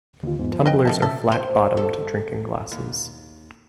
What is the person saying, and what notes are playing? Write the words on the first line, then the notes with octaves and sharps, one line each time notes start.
Tumblers are flat-bottomed drinking glasses.
D#2 D3 F4
E2 G#2 B3
F3
B4 D#5 G5
D#3 A3 A#4 D#5 E5 A5
C#3 C#4 A4 E5
C5
A4
D#2